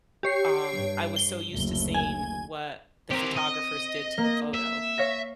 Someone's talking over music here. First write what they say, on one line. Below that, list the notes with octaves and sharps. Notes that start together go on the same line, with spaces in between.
um, I was so used to seeing what the photographers did to the photo,
G4 C#5 C7
G2
G7
F#1 D2
G#5
C4 G4 A#4
D#5
A#3
E5
C#5 F5 A#6